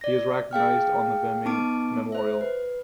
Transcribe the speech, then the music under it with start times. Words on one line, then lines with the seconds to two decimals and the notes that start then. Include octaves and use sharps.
He is recognized on the Vimy Memorial.
0.01 D5 A#6
0.51 G#4 F5 G5 F6
1.45 B3 D#4 A5 D6 D7
2.12 C5 E5
2.41 B4